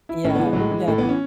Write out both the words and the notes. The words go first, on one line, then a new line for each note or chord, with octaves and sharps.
Yeah, yeah.
E4
A2 C#4
E3 B3
G#3
F#3
A2 G#3
E3
A2 A3
E3 B3
C#4